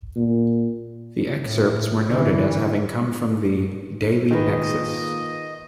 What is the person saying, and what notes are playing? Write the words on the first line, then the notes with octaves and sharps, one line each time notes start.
The excerpts were noted as having come from the "Daily Nexus".
A#2
A2
D3 E3
D#3 A#3 F4 G#4 A#4 B4 D#5